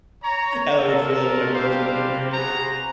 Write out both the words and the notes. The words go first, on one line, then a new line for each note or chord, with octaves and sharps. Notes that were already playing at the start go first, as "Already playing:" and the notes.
how I would feel when my brother is gonna get married.
C#5 A#5
C#4 F4 A4 A#4
G3 D4 G4 C5 F5
F#4 G#4 B4 C5 A#5